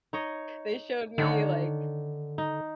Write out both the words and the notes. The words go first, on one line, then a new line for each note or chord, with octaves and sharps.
they showed me, like,
D#4 C#5 D#5
D3 D#3 D4 C#5
D#4